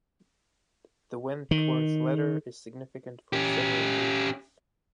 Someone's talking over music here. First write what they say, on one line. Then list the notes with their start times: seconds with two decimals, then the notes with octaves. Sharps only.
The Wentworth Letter is significant for several reasons.
1.51 D#3
3.33 C#4 G4